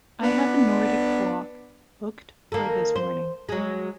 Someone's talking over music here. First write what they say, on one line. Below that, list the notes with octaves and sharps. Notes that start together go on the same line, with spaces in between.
I have a Nordic walk booked for this morning.
B3 D4
D#3 A#3 A4
C5
F#3 G#3